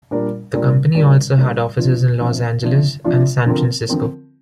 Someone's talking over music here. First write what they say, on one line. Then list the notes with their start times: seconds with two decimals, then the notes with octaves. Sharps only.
The company also had offices in Los Angeles and San Francisco.
0.11 A#2 G3 D4 A#4
0.53 A#2 G3 D4 A#4
0.95 A#2 G3 D4 A#4
1.37 A#2 G3 D4 A#4
1.79 C3 F3 D4 F4
2.21 C3 F3 D4 F4
2.62 C3 F3 D4 F4
3.04 C3 F3 D4 F4
3.46 D3 F3 C4 A#4
3.89 D3 F3 C4 A#4